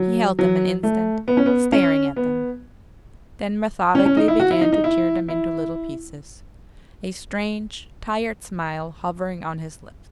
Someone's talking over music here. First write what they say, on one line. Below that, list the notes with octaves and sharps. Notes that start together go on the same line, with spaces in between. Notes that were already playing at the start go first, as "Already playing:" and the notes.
He held them an instant, staring at them, then methodically began to tear them into little pieces, a strange, tired smile hovering on his lips.
Already playing: F#3
F#3
A3
B3
C#4
B3
C#4
B3
C#4
C#4
D#4
E4
F#4
E4
D#4
D#4
E4
E4